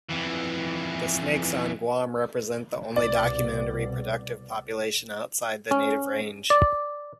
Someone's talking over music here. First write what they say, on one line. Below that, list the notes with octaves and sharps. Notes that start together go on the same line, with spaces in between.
The snakes on Guam represent the only documented reproductive population outside the native range.
F2 E3
C2 B2 D5
C#4
D5